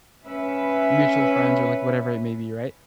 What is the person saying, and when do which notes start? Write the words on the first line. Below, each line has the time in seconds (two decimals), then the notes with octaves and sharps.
mutual friends or like whatever it may be, right?
0.25 C#4 B4 E5